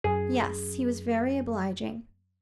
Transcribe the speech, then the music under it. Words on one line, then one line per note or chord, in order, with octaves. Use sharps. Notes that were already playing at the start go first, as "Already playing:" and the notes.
'Yes; he was very obliging.
F#2 G#4